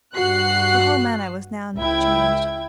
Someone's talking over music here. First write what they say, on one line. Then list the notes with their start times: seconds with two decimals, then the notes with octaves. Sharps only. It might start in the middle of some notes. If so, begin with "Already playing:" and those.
Her whole manner was now changed.
0.14 G2 F#4 F#5 F#6 C7
1.79 C#2 E4 E5 G5 G#6